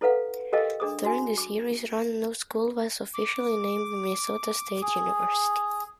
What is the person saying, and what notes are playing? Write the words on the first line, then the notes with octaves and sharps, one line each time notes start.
During the series run no school was officially named Minnesota State University.
E4 A4 B4 F5 F#5
G4 A4 A#4 D#5 F5 G5
D4 G#4 D#6
F#4 G#5
D6
D6
G#4